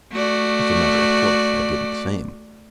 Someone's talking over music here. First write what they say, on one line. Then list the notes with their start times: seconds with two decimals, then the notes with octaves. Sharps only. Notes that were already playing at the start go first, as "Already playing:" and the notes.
As a matter of course I did the same.
0.12 A3 F#4 D5